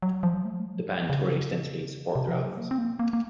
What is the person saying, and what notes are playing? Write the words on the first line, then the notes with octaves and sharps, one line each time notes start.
The band toured extensively in support of their albums.
F#3
F3
F#3
A3
F#3
F3
C#3
C3
F3
F#3
A#3
C4
A#3
A#3
A#3